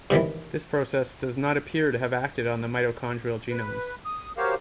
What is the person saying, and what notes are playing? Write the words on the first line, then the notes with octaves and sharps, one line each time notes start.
This process does not appear to have acted on the mitochondrial genomes.
G2 C3 D#3 E3
B4
D#6
F#4 G4 A#4 C5 C#5 F5